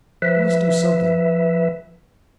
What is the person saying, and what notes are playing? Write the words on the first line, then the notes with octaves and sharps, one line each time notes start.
We must do something.
F3 B4 E5